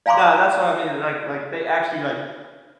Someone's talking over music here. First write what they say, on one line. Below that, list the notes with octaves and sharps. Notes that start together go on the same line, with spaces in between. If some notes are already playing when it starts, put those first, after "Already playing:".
No, that's what I mean, like like, they actually, like,
D5 F5 G#5 A#5 C6 D6